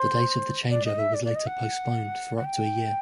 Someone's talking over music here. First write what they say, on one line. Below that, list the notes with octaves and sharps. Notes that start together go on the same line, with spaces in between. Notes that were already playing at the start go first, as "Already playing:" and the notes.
The date of the changeover was later postponed for up to a year.
Already playing: C5
D5
D#5
E5
D5
D5
D#5
F#5
F#5
G5